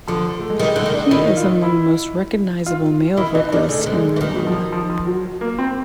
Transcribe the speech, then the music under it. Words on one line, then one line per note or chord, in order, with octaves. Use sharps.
He is among the most recognizable male vocalists in Rwanda.
D3 F3
A3
G#3
D#3 G3
D3 A3
D#3
D4
D#3 E4
F4
E4
F4
D#3 E4
E3 D#4
D#3 D4
C#3 A3
D#3
D3
G#3
E3
D#3 G3
F#3
F3
F3
F3
F#3
A#3
C4